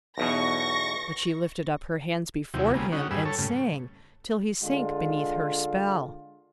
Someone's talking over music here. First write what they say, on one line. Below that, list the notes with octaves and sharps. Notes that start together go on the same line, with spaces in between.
But she lifted up her hands before him, and sang, till he sank beneath her spell.
B1 E2 B2 C#6 A#6
D#2 C3 F#3 E4 G4
C#3 G3 G#3 A#3 B3
C#4 D#4 F#4
G2 G3 G#4 B4 E6
A4 C#5
G2 C#3 A3
D3 G#3 F4